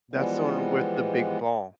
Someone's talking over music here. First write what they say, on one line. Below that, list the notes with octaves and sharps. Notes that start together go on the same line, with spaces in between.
that's the one with the big ball
E3 F3 G3 G#3 B3